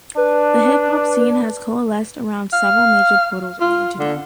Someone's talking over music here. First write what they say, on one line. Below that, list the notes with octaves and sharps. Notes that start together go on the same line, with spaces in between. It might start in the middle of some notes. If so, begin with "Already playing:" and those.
The hip hop scene has coalesced around several major portals on the internet.
D4 B4
F5
F4
D3